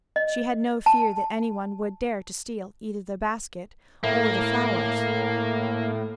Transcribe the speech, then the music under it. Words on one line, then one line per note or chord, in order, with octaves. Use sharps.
She had no fear that any one would dare to steal either the basket or the flowers.
D#5
A5
A2 A#3